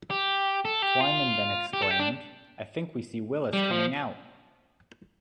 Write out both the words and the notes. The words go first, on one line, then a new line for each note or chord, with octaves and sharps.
Twyman then exclaimed: I think we see Willis coming out!
G4
A4
G4
F4
G4
A4
G4
D4
G3
F3